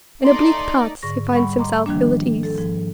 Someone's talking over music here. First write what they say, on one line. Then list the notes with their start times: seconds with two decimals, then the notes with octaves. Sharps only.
In oblique paths he finds himself ill at ease.
0.25 A3 D#4 D5 C6
1.03 G#2 D3 C#6 A#6
1.32 G3 F#5 B5 C#6
1.58 D#5 A#5 C6 D6
1.86 D#3 F3 G3 A#3 D4
2.43 A4
2.58 G#2 F3